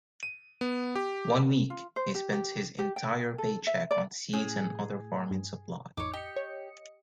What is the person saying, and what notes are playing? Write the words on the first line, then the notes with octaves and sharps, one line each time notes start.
One week he spends his entire paycheck on seeds and other farming supplies.
D#7
B3
G4
F4
C5
G4
G4
G4
G5
A4
E5
D5
A2 C#4 G#4
G2
A1 F2 D#4 C#5 D6
G4 D#5 C#7
C#5